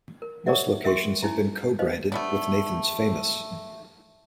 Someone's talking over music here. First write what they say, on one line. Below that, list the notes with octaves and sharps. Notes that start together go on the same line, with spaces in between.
Most locations have been co-branded with Nathan's Famous.
A#4
G#4 A#4 C#5 D5 E5 F#5
A#4 E5 G5 C6 C#6
C#4 D#4 E4
D#4 B4 C5 D#5 F5
A3 B3 D4